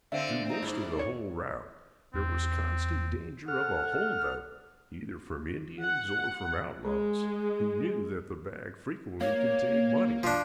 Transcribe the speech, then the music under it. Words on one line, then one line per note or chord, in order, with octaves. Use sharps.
Through most of the whole route there was constant danger of a "hold up" either from Indians or from outlaws, who knew that the bag frequently contained money.
D3 C4 E5 F5
C4 D#4
G#2 D#4 E4 D5
C#4 C#5
E2 C4
A4 F#5 F6
F#5
G#3
A#3 C#5
F3 D4